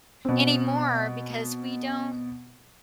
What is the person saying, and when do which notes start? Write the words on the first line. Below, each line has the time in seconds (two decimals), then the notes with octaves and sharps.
anymore, because we don't
0.25 B2 C4